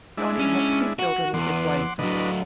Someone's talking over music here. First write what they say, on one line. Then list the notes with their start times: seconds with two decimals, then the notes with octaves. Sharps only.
Johnie has three children with his wife.
0.17 G#3 D4 E4
0.39 C#4
0.99 F#4
1.34 E2 F#5 C6 D6
1.99 D2 F#3 D4 B4 D#5